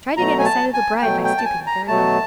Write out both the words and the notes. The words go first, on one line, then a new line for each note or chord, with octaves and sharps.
"Try to get a sight of the bride by stooping very low."
B2 F#3 A3 A#5
G#5
A5
G#5
B2 F#3 A3 G5
G5
A5
G#5
A#5
B2 F#3 A3 A5